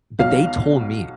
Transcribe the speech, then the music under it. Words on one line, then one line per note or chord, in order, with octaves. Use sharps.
But, they told me,
B1 B2 F5